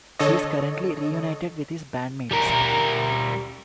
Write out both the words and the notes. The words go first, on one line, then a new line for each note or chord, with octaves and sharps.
He is currently reunited with his band-mates.
D3 A4 C#5 D#5
G3 A#4